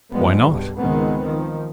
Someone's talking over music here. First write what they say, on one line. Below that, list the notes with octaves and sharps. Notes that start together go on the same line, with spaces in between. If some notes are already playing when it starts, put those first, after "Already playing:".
"Why not?"
G2 F3 G3 G#3 B3
B1 G2
C#2 G#2 D#3 G#3 B3 C4
D#3 F3